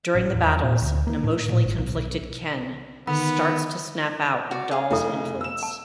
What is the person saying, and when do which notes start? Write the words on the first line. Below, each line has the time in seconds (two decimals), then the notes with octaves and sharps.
During the battles, an emotionally conflicted Ken starts to snap out of Doll's influence.
0.15 A1
0.34 E2
0.63 A#2
0.82 D2
1.07 A#3
1.24 A2
1.49 A#2
1.64 G#1
1.78 B1
1.96 B1
3.07 D3 D#3 B3 B5
4.51 F#4 D5
4.71 G#4 F5
4.91 F1 D4 E4 A4
5.41 E6 E7
5.63 A5